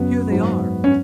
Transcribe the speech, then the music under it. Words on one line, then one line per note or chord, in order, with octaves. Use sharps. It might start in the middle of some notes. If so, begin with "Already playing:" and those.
Here they are.
Already playing: F#2 C#3 F#3 B3
G#2 F#3
C#4